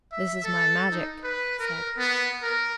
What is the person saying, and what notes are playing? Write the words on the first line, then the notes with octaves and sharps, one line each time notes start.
"This is my magic," he said.
E5
A4
D#4
B4
A#4
B3
A#4